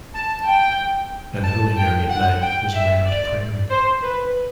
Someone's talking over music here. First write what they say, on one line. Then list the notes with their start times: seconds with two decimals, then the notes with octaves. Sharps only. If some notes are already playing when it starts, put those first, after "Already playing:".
An early variant name was Round Prairie.
0.14 A5
0.46 G5
1.43 A5
1.76 G5
2.09 F#5
2.41 G5
2.73 E5
3.05 D5
3.70 C5
4.03 B4